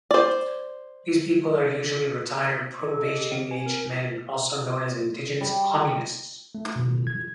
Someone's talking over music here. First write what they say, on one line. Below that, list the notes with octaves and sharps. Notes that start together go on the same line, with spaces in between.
These people are usually retired pro-Beijing aged men, also known as indigenous communists.
C5 D5
G#6
A4
D#5
G4
C4
G#5
A#4
G3
A3
B2
G#6